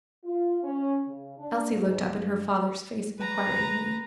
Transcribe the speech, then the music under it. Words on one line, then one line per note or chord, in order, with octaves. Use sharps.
Elsie looked up in her father's face inquiringly.
F4
C#4
C#3
D4
G#2
G2
B4 A#5